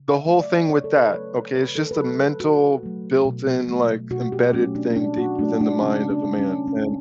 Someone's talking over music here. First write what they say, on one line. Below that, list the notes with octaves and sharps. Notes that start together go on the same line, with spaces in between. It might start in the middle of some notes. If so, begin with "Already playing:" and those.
the whole thing with that, okay, is just a mental built-in, like, embedded thing deep within the mind of a man and
Already playing: C#3
E5
F#3 A3
D5
C#3 C#5
A4
B4
F#3 A3 C#5
C#3 B4
A4
B4
F#3 A3 A4
B2 F#4
F#3 A3
B2
F#3 A3
B2 F#4
G4
F#3 A3 C#4
D4
B2 D4
F#4
F#3 A3 D4
D4
C#3 C#4
D4
G3
C#4
C#3 C#4